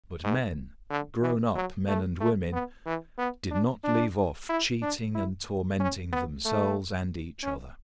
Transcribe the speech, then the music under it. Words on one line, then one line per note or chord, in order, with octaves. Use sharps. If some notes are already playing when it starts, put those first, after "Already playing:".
But men, grown-up men and women, did not leave off cheating and tormenting themselves and each other.
G#2
D3
E3
F#3
A3
A3
B3
E3
B3
D4
D4
E4
D4
E4
C#4
B3
A3
C#4